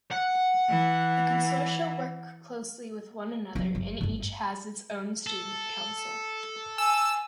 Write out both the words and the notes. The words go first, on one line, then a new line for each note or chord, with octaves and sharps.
The consortia work closely with one another and each has its own student council.
F#5
E3
F#3 C#4
G1
G1 C4
A4
G#5 E6